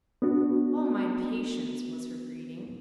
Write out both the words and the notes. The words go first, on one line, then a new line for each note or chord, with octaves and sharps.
"O, my patience!" was her greeting.
B3 D4 F#4